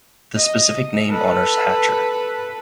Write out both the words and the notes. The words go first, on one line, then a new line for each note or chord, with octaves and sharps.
The specific name honors Hatcher.
D#5
A4 B4